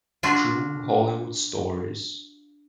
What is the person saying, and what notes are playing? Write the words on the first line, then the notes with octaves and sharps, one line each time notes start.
True Hollywood Stories.
D4 F4 F#4